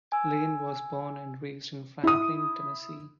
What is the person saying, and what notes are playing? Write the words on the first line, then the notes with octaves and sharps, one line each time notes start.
Lane was born and raised in Franklin, Tennessee.
G#5 E6
E4 D#6